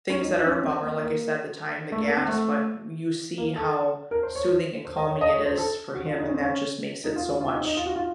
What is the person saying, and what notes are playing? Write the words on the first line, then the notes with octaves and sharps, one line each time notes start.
things that are a bummer, like I said, the time, the gas, but w you see how soothing and calming it is for him, and that just makes it so much,
C#4
D#4
D#4
C#4
C4
A#3
A#3
A3
A#3
C4
A3
A#3
A4
A#4
C5
C#5
C5
C5
D#5
C#5
D#5
C#5
C5
A4
F#4
F4
D#4
C#4
C4
C#4
D#4
F4
F#4
F4
D#4
D#4
F4
F#4
F4